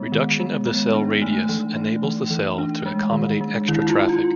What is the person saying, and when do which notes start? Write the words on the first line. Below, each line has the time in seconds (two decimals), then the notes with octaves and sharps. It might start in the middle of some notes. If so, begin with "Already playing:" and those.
Reduction of the cell radius enables the cell to accommodate extra traffic.
Already playing: G#3 B3
0.12 D#3
0.39 G#3
0.66 G#3
0.94 D4
1.22 A3 D#4
1.49 E3
1.76 A3
2.04 E3
2.31 E3
2.58 D4
2.86 G#3
3.13 D#3
3.41 G#3
3.68 D#3 E4
3.89 F4
3.95 D#3
4.09 F4